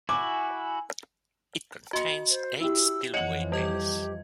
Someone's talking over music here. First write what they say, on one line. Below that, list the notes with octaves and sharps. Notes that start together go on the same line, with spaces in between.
It contains eight spillway bays.
E4 F#4 G#5 D6
F#4 D#5 C6 C#7
C5
E4 G4 E6
F2 E3 F3 C#5 D#5 F#5 C#7 F#7
G3 G4 D#5 G#6